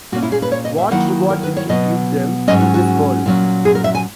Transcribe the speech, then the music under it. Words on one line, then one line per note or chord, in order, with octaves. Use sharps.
What reward did He give them in this world?
A#2 A#3 C#4 F#4
E4
G#4
B4
C#5
D#5
E5
D#3 F#3 A#3 E4 F#5
A#4
B4
C#5
B2 F#3 B3 D#5
G#2 D#3 F#3 C#4 D#5
F#4
F#4
A#2 F#3 C#4
G#4
A#4
E5
G#5